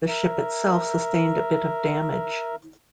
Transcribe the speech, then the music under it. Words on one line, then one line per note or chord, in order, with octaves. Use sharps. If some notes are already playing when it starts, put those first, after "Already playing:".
The ship itself sustained a bit of damage.
A#4 E5